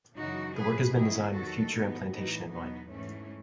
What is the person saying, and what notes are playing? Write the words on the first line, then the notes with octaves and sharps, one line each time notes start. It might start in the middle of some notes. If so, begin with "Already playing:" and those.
The work has been designed with future implantation in mind.
F#2 C#3 E3 D#4 F#4
A2 F#3 G#4 B4
G#2 D#3 F#3 E4 G#4
E2 D#3 F#3 F#4 A4
G#2 E3 B3 D#4
A2 E3 B3 D#4
E2 B2 F#3 B3 D#4
G#2 E3 A3 C#4